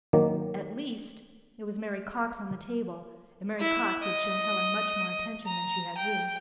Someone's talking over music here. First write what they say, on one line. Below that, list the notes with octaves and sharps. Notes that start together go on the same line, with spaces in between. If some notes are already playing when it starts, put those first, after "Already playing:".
At least, it was Mary Cox on the table, and Mary Cox had shown Helen much more attention than she had Ruth.
D#3 F#3 A#3
E4
D#5
A#5
G5